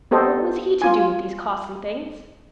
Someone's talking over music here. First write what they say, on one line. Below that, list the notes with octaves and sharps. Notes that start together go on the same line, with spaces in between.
What was he to do with these costly things?
B3 G4 A4 C5 D#5
F4 G#5